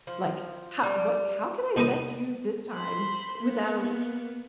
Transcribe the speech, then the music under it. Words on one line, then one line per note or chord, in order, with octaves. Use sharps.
like, "How what how can I best use this time without"
F3
G3
C2 D4 D#4 B4 D#5 D#6
C5 B5
A#3 B3